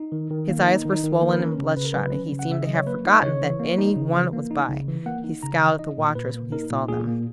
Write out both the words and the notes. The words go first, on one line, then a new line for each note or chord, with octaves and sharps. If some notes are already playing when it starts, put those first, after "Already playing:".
His eyes were swollen and bloodshot, and he seemed to have forgotten that any one was by; he scowled at the watchers when he saw them.
Already playing: D#4
D#3
D#3
A#3
D#4
D#3
D#4
D#3
A#3
B4
C#4 A#4
C#3
C#3 B4
A#4
F#3 B4
C#4
C#3
F#5
C#3 E5
F#3 D#5
C#5
A#3 B4
D#4
D#5
C#3 C#5
E3
A#3
D#4
C#3
E3
A#3
D#4
C#3
E3
A#3 F#5
D#4
C#3 A#5
E3
D#4 D#5
A#2
A#2 B4
A#3
D#4 A#4
A#2
A#2 G#4
A#3